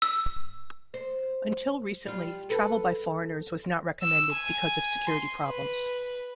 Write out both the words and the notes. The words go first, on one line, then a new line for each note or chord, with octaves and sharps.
Until recently, travel by foreigners was not recommended because of security problems.
E6
C5
G3 F4
A4 B4
E6
G#5
C6
B4